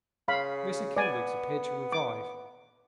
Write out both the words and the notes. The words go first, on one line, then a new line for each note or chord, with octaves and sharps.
Mr Kenwigs appeared to revive.
C#3 F5 B5
B3 D5 G#5
D6